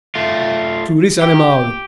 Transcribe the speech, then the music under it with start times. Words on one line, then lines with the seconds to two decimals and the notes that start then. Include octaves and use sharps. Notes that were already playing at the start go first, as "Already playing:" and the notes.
Tu ris, animal?
0.15 A3 F4
1.22 G4